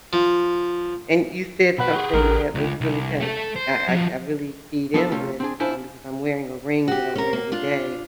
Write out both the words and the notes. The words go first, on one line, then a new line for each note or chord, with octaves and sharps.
And you said something that was really kinda k I I I really keyed in with, um, because I'm wearing a ring that I wear every day.
F3
B2 B4 F#5 B5
G4 G#4 F#5 C6 C#6
A1 A#4
C#2
C2
A3 A4
C5
F3 F#3
F3 B3 D4 F4 A4 E5
C3 A3 C#4 F4
C4 D4 G#4
C#4 D4 E4 F4 C5
F#4 G4
C#4 A#4
A#3
D4 F4